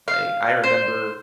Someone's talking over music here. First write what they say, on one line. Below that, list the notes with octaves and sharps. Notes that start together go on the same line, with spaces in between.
like, I remember
F5
C5